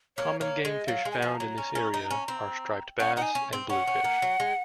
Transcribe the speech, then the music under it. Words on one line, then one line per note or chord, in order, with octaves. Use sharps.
Common game fish found in this area are striped bass and bluefish.
A#3 C#5
A#3 C#5
G#3 D#5
F#3 F5
G#3
G#5
F#5
F3 G#5
F#3 A#5
C#4
C#4
D#4
C#4
C4
C#4 F#5
D#4 F#5
G#5
C#4
C4
C#4 F#5
C#4
A#3
F#3
G#3